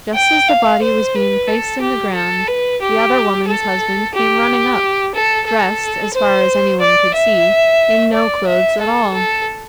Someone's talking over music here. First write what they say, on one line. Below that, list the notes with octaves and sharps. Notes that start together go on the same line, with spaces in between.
Just as the body was being placed in the ground the other woman's husband came running up, dressed, as far as anyone could see, in no clothes at all.
G5
F5
C5
B4
A4
G4
A4
B4
G4
A4
G4
A4
A4
C5
D5
E5
D5
E5
A4
A4